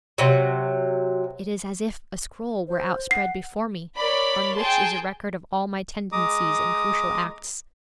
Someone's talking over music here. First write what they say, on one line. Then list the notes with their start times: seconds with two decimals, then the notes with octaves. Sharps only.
It is as if a scroll were outspread before me, on which is a record of all my tendencies and crucial acts.
0.18 C3 F#3
2.68 C5
3.11 F#5 C7
3.96 A#4 C#5 D5 B5
4.56 G#4 G5 A5 C6
6.12 G#3 A#5 D6 D#6